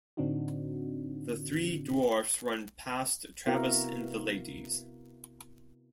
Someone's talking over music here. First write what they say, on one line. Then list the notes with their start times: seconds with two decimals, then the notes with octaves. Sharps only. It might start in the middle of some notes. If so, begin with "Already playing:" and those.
The three dwarfs run past Travis and the ladies.
0.17 A2 D3 C4 D4 D#4 F#4
3.46 C3 B3 E4 F#4 A#4 F5